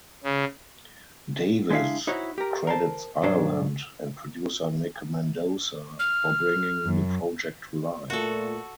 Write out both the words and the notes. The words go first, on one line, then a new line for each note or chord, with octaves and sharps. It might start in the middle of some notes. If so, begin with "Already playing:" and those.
Davis credits Ireland and producer Nic Mendoza for bringing the project to life.
C#3
G#3 D4 E4 C#5 E5 F5
D#4 E4 F#4 C5 C#5
G4 A#4
A#4 C5 A5
B1 G2 F#3 D4 C5
F6
F#2
A#2 A3 F#4 A4